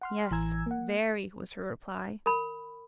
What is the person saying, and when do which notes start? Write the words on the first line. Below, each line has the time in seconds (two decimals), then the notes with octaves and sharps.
'Yes, very,' was her reply.
0.02 F#5 C6 F6
0.31 A1 E3 G#5 A#5 E6 G#6
0.66 A#3 F#5
2.26 A#4 B5